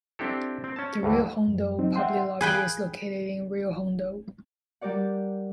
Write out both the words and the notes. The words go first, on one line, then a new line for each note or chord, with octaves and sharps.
The Rio Hondo Public Library is located in Rio Hondo.
C4 D4 E4 G4 A4
C4
C#4 A5
D2 G2 E3
F#2
F#3 C4 D#4
E5 F#5 G5 C6
G#4 B4 G5
G3 G4 A#4 D5 F#5